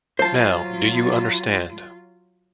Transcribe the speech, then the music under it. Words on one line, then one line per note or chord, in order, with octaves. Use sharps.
Now, do you understand?
F#3 F4 C5 A5